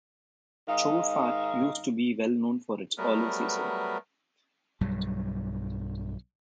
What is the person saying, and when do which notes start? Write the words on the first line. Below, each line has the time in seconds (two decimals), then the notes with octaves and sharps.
Choueifat used to be well known for its olive season.
0.67 G#2 D#3 D#4 F5
2.98 F#3 G3 A3 B3 A#4 B4
4.81 B1 G2 F#3 G3